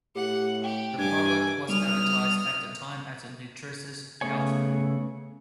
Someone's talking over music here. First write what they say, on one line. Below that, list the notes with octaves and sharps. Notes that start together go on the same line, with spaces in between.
The product was advertised at the time as a nutritious health food.
A2 G4 F#5
G4 G5
G2 G#5 D6 G#6
B1 G3 D#6 F6
C#3 A3 B3 C#5 G#5